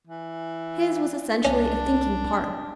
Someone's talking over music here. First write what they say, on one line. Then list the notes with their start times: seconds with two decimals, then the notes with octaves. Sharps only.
His was essentially a thinking part.
0.07 E3
1.45 C2 C#4 D4